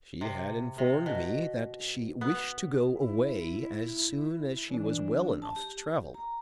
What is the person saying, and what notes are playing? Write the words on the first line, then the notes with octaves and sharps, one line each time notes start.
She had informed me that she wished to go away as soon as she was well enough to travel.
C3
C3
B2
B3
E4
E3 D4
A5
G4
A#5